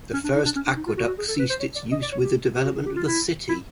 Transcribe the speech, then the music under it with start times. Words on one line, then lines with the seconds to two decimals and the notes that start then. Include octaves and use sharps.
This first aqueduct ceased its use with the development of the city.
0.13 C#4
0.24 D4
0.35 D#4
0.45 D4
0.56 C#4
0.67 D4
0.77 D#4
0.87 F4
0.98 F#4
1.08 F#4
1.18 G#4
1.29 A4
1.39 B4
1.50 C5
1.60 C#5
1.76 D5
1.92 D#5
2.03 D5
2.13 C#5
2.23 G4
2.55 G4
2.65 F#4
2.76 G#4
2.86 G4
2.96 F4
3.07 E4
3.49 E4